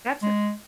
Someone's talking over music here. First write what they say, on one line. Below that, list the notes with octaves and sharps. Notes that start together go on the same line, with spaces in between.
that's a
G#3